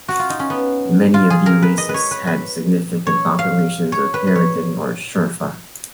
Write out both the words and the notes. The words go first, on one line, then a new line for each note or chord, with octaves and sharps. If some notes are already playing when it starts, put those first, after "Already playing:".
Many of the oases had significant populations of haratin or shurfa.
F#4
F4
D#4
C#4
B3
F4
G#4
A#4
B4
D#5
B4
C#5
B4
B4
C#5
F5
C#5
B4
B4
C#5